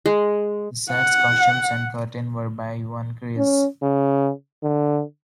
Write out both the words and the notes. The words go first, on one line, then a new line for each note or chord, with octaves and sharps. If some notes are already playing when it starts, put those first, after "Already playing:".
The sets, costumes, and curtain were by Juan Gris.
G#3
F#5
C#4
C#3
D3